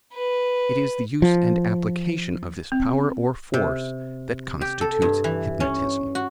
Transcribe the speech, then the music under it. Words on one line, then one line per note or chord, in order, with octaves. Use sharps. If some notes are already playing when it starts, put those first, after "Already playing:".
It is the use and application of this power or force that constitutes hypnotism.
B4
F3
C4
C3
G4
A4
G2
E3
C#4
F#4